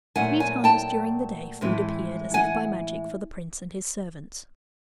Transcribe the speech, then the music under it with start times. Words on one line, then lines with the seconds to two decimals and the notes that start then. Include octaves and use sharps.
Three times during the day food appeared, as if by magic, for the prince and his servants.
0.15 A#2 F#3 A3 F#5 G#5
0.40 F#5 G#5
0.64 G5 A5
1.61 A2 E3 G#3 C4
2.34 F#5 G#5